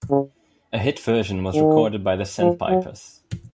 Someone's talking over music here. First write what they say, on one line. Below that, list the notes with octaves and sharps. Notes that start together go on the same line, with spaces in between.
A hit version was recorded by The Sandpipers.
C#3
D#3
F3
F#3